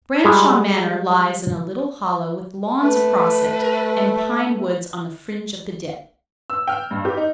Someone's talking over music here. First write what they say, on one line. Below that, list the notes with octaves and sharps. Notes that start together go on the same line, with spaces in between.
Branshaw Manor lies in a little hollow with lawns across it and pine-woods on the fringe of the dip.
G3 G#3 G#4
A3 B4
E6
G5 F6
G2
G4
D#4